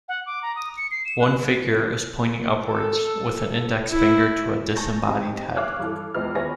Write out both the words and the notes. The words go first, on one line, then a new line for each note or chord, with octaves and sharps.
One figure is pointing upwards with an index finger to a disembodied head.
F#5
D6
A#5
D#6
C#7
C7
E7
F#6
A4
E4
G#5 A5 C#6 G6 A6 A#6
C4 D#4 G4
C#5 F5 D6 F6 F#6 G#6
G2 E3 A4
A#1 E2 G#3 B4 F6
D#2 B4 C#5 G#5 B5 A#6